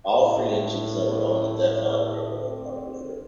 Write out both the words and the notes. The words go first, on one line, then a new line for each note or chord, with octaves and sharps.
All three engines that were on the Death Valley Railroad are preserved.
A2
C4